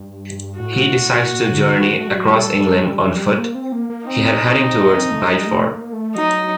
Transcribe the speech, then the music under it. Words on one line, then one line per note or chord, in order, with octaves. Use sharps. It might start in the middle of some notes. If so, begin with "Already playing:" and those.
He decides to journey across England on foot, heading towards Bideford.
Already playing: G2
A2 F#4
A#2
D3
D#3
A3 F#4
G3
F#3
G3 A4
A#3
C4
A#3
A#3
C4 D#4
A#3
C4
A3
G3
A3
A#3
A3
F#3 D#4